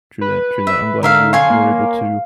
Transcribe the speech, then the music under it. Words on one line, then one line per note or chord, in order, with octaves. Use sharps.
True that. True that. I'm glad you were able to
B4
E5
D3 A#4 E5 F5
C#5 F5 G#5 C6
A#3